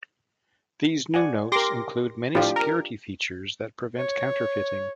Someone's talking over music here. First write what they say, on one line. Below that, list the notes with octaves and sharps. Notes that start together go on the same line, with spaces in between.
These new notes include many security features that prevent counterfeiting.
D5 F#5 G#5
G4 A#4 C6 D6 A#6
A2 F3 D4 F4 G4
A#4
C#5